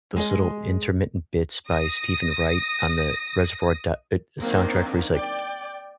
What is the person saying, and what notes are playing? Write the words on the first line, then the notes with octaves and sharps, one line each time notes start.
those little intermittent bits by Stephen Wright on the Reservoir Do e soundtrack where he's like,
G#3 G#4 D#5
D#6 A#6
D#3 F#3 A#3 C4 D4 D#4
D5 G5